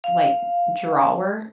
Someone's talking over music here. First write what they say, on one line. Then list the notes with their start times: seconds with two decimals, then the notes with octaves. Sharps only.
like, drawer?
0.04 F5